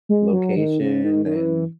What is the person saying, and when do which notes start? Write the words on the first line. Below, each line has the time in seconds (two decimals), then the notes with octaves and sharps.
location and
0.09 G#3
0.33 F#3
0.57 D#3
0.81 C#3
1.04 D#3
1.26 D#3
1.36 E3